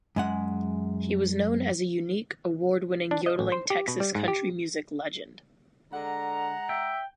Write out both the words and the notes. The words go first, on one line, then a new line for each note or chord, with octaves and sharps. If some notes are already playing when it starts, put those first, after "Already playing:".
He was known as a unique, award-winning yodeling Texas country music legend.
F#2 G#3 F#5
D4
D#5
A1
C5
G4
B2
G3
G#2
G4
D3 G#3 F#5 A#5
E5 G5